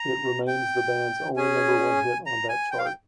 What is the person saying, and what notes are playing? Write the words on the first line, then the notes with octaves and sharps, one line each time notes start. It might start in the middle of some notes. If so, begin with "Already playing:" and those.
It remains the band's only number one hit on that chart.
Already playing: A#5
G5
C#4 G#4 G#5
A#5
G#5
G5
F5
G5